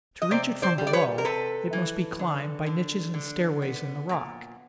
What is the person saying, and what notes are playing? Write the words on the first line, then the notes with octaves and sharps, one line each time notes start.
To reach it from below, it must be climbed by niches and stairways in the rock.
D#5
C3 C5 D5
C5 D5
G3
D5
B4 C#5
A#4
C3 A4 B4
E3
D3
D3
D3
B3
A#2